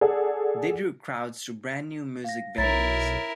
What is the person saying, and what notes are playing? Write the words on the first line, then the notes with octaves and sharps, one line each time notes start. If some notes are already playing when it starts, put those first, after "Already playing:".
They drew crowds to brand new music venues.
G#4 A4 D5 F#5
F5 A#6
B1 E4 A#4 C#5 A#5 A6